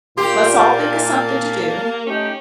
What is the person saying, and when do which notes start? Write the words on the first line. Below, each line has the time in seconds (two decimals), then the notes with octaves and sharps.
let's all think of something to do,
0.17 A#2 A#3 G4 C6
0.59 F5 A5
2.06 A3 C#4 D#4 G4